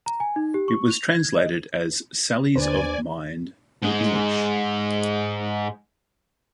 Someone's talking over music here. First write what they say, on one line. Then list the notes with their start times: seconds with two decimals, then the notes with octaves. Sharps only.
It was translated as "Sallies of Mind" in English.
0.06 A#5
0.20 G#5
0.36 D#4
0.54 G4
0.68 C#6
0.91 F7
1.08 G#6
1.35 D#5
2.56 D#2 D3 D4 B4 C5 D5 G#5
3.82 G#2 G#3